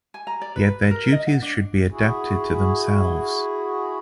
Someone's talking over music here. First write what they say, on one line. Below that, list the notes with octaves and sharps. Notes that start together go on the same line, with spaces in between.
Yet their duties should be adapted to themselves.
G#5
A#5
D5
B4
A#4
D#5
F#5
D4
E4 F#4 G#4